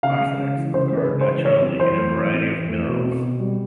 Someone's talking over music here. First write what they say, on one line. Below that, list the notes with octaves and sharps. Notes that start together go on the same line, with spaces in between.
Arsenates occur naturally in a variety of minerals.
C#3 F5
G#3
C#3
E3
C#3 C5
G#3
B4
C#3
C5
E3
E3 C#5
C4
E3 C5
A3
E3
C4
E3
A3
B2
C4
B2
G3